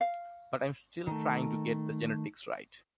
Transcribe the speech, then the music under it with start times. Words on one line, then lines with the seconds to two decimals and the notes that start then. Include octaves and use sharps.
But I'm still trying to get the genetics right.
0.01 F5
1.07 D#3 A3